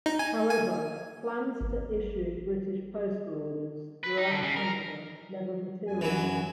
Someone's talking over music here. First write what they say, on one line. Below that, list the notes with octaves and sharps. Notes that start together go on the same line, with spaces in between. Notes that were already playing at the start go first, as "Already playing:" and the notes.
However, plans to issue British postal orders throughout Canada never materialised.
D#4
G#5
G#5
G#1
B4
D#4
D3
C#3
A#4
F#2 G#5
E3 F#3